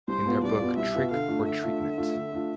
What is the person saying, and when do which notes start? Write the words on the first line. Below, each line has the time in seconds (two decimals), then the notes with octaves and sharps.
In their book Trick or Treatment?
0.08 C2 C5
0.25 B2 B3 F4
0.43 C2 D5
0.59 B2 B3 F4
0.77 C2 E5
0.95 B2 B3 F4
1.11 D3 F5
1.28 A3 D4 F4
1.46 D3 E5
1.63 A3 D4 F4
1.80 D3
1.98 A3 D4 F4
2.15 D3
2.32 A3 D4 F4